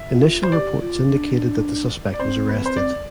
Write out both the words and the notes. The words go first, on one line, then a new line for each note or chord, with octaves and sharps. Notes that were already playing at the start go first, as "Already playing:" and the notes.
Initial reports indicated that the suspect was arrested.
Already playing: E5
F4
C5
G4 D5
F4
D4
D5
C4 C5
B3 B4
C4 C5
D5